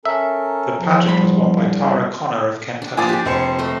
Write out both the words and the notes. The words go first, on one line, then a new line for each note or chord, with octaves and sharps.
The pageant was won by Tara Conner of Kentucky.
C#4 A4 A#4 E5
E2 F3
G2 B5
D4
F3 A#3 D4 G#5 D6 A6
G4 G#4
F1 C5 C#7
A3 D#5